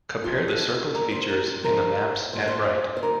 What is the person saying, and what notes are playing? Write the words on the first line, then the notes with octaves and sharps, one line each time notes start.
Compare the circled features in the maps at right.
F2 D#3 G3 F4
A4
D#2 D#3 G3 A#4
C5
A#4
G4
F2 D3 F3 A#4
A2 G3 C5
C5
C5
D#3 G3 A#4